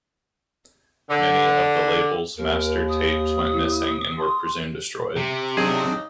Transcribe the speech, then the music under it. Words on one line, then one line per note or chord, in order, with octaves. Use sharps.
Many of the label's master tapes went missing and were presumed destroyed.
D3
D#2 A#4
D#6
E4
C6
C3
F#3 C4 D4 D#4 G#4